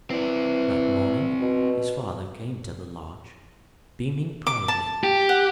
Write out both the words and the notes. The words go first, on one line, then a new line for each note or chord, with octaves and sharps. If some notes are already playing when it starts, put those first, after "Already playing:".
That morning his father came to the lodge, beaming proudly.
E3 C4 D5
B2
D6
A5
G4
F#5